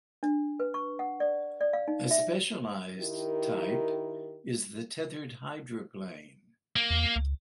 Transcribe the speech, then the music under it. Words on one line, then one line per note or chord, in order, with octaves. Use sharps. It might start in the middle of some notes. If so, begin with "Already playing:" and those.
A specialized type is the tethered hydroplane.
D4
B4
C#6
F#5
D5
D5
F5
D#4
E5
D#3 E4 G4 A#4
A#3
E2
C#2